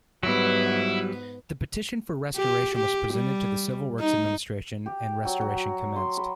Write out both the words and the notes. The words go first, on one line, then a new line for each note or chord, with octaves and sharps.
The petition for restoration was presented to the Civil Works Administration and restoration commenced.
G#2 F#3 G3 B3 E4 B4
G4
G4
G3
D#4
G4
F#3
F#3
C6
B5